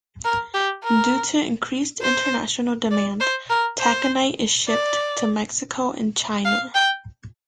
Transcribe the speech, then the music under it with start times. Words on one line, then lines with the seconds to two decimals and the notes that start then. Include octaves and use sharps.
Due to increased international demand, taconite is shipped to Mexico and China.
0.25 A#4
0.54 G4
0.83 A#4
2.02 C5
2.91 D5
3.20 C5
3.50 A#4
3.79 C5
4.68 D5
6.45 F5
6.74 G5